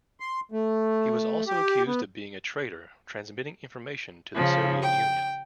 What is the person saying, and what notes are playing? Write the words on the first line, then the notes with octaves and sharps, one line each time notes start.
He was also accused of being a traitor, transmitting information to the Soviet Union.
C6
A3
G4
B3
C#3 F3
G5